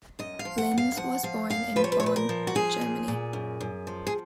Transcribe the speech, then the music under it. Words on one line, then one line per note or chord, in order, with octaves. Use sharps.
Linz was born in Bonn, Germany.
F#2 D#5
F5
F3
F#5
F#2
F5
F3 F#5
F3 F5
F#2 F5
F3 B4
C#5
B4
C#5
A#2 B4
A#4
F3
F#4
F3 G#4
A#2
A#2
F#2
F#2
F3
G#4